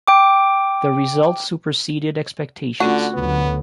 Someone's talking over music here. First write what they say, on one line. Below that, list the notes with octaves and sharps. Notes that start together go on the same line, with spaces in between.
The result superseded expectations.
G5 D6
D3 A3 C#4 F4 F#4
D2 D3 F#3 B3